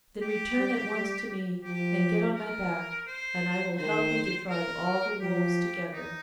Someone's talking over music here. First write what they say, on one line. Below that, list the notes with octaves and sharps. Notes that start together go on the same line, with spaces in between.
Then return at once to me and get on my back, and I will help you to drive all the wolves together.'
G4
G3
G3
F3 G4
A#4
C5
D#3 C5
A#4
F3 G4
D#4